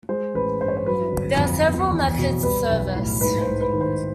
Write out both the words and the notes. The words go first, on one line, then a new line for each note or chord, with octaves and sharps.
There are several methods of service.
G#3 C5
A1 B4
G2 C5
C#5
C5
F#3 B4
G1
F2
B3
E2
B2
G3 B4
B1
A2
G#2 B4
C5
G#2
B4
D#3
C5